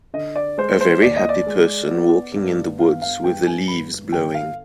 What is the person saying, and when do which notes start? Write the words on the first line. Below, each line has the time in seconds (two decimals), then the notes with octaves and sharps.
A very happy person walking in the woods with the leaves blowing.
0.14 D3 D#5
0.36 D5
0.58 G#3 C5
0.81 C5
1.02 D#2 D5
1.16 D#5
1.29 D5
1.47 G#3
1.91 B3
2.35 G2
2.79 B3 F5
3.02 F5
3.24 G2 G5
3.47 G#5
3.68 G2 B5
4.12 G1 G5
4.34 F5